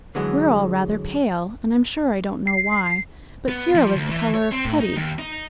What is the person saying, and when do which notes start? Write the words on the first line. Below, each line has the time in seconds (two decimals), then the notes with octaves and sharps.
We're all rather pale, and I'm sure I don't know why, but Cyril is the colour of putty.'
0.15 D3 E3 F#3 G#3
2.47 C7
3.48 B3
3.75 F3
3.96 D2
4.10 E3
4.35 C#5
4.52 C4
4.65 A2
4.80 D#4
4.96 D#2
5.19 D#4